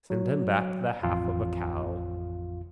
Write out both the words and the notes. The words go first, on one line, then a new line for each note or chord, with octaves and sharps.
Send him back the half of a cow.
F#3
A1 F2 F4